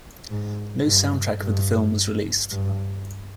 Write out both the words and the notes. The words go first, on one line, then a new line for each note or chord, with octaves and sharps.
No soundtrack of the film was released.
G#2
G2
G2
G2